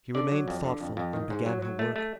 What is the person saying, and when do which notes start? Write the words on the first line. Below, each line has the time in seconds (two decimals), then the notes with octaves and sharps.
She remained thoughtful, and began her work.
0.15 D3 D5
0.31 F#3
0.48 F2
0.64 D3
0.80 F2
0.97 F2
1.13 D#3
1.30 G#2
1.46 F#3
1.62 F#3
1.79 A3
1.96 A3